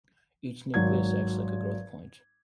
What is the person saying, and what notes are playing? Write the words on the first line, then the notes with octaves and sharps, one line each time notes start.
Each nucleus acts like a growth point.
G#1 F#3 G#6